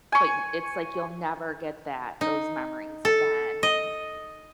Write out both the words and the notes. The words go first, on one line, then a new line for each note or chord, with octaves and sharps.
but y it's, like, you'll never get that those memories again and.
G#5 C#6
D#4
A4
D#5